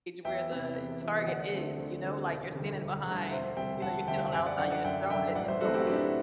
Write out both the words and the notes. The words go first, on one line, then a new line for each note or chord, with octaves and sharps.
where the target is, you know? Like you're standing behind, you know, you're standing on the outside and you're just throwing it and nobody's
E2 E5 G5
C3 E3 B3
E2
C3 E3 B3
D2 D5 F#5
D3 A3 C4
D2
D3 A3 C4
E1
D2 D3 G3
E1
D2 D3 G3
F#5
E1 C5 E5
D2 C3 G3 C4 E5 G5
E1 F#5 A5
D2 C3 G3 C4 E5 G5
F#2 E5 G5
D5 F#5
D3 F#3 D5 F#5
D5 F#5
F#2 E5 G5
D3 F#3 E5 G5
A1 D5 F#5
C5 E5
A2 F#3 A3 C4 F#4 A4
E4 G4
A1 D4 F#4